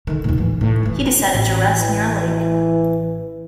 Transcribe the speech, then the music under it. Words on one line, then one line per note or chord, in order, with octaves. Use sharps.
He decided to rest near a lake.
D3 D#3
D#2 A#2
A1 E3
A2
F#1 E3
A1
E3